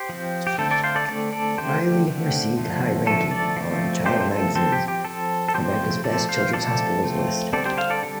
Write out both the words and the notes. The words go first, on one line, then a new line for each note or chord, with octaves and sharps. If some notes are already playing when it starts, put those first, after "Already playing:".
Riley received high ranking on "Child" magazine's America's best children's hospitals list.
Already playing: G4 C5
F3 C4
G4
D3 A3 C4 A4
A4 D5
C5 F5
A4 D5
D3 A3 C4 A4 D5
A4 D5
D3 A3 C4 G4 C5
G4
D3 A3 C4
D3 F3 A3
D3 F3 A3 A4
A4 D5
F3 A3 C4
F3 A3 C4 G4 C5
C5
A4
F3 C4 A4
G4
G4
F3 C4 A4
A4
F3 A3 C4 G4 C5
F3 A3 C4 A4 D5
C5 F5
F3 A3 C4 A4 D5
F3 A3 C4
D3 G3 C4 A4 D5
G4 C5
C5 F5
A4 D5
D3 G3 A4